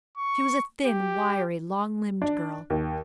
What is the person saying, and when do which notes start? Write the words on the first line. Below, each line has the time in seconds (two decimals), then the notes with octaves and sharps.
She was a thin, wiry, long-limbed girl.
0.18 C#6
0.86 G4
2.22 D4
2.70 D#2